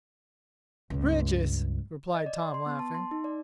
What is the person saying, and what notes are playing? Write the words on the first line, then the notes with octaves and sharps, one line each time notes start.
"Bridges," replied Tom, laughing.
C#2 G2
D#5
D5
C6
C6
B3
A5
C6
D#4
D5